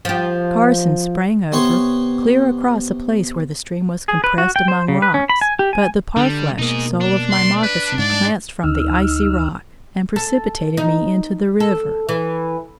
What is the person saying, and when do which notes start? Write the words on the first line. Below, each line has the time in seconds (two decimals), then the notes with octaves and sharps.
Carson sprang over, clear across a place where the stream was compressed among rocks, but the parfleche sole of my moccasin glanced from the icy rock, and precipitated me into the river.
0.05 F3 G4
1.52 C3 B3 C#5 C6 C#6
4.08 G#4
4.24 B4
4.38 F#4
4.56 G5
4.68 C5
4.88 C#3
5.02 B4
5.14 C#4
5.29 B5
5.41 G#5
5.59 G4
5.73 G#5
6.17 D3 G3
6.59 B2 A#3 D#4 G#4
7.01 D4
7.31 C6
7.62 B4
7.98 G#2 D5
8.64 D2 D#4 E6 F6
10.16 A4
10.77 D#4
11.60 A4
12.09 E3